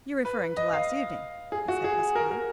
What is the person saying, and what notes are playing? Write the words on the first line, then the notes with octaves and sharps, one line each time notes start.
"You're referring to last evening," he said huskily.
B4
D#5
F5
G#4
F#4
G#4
A#4
A#4